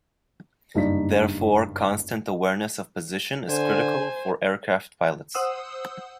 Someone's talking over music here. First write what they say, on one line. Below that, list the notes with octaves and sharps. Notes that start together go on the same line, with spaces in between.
Therefore, constant awareness of position is critical for aircraft pilots.
F#1 G2 D#4 D5 B6
D3 C5 G#5
C5 F#5 D#6 E6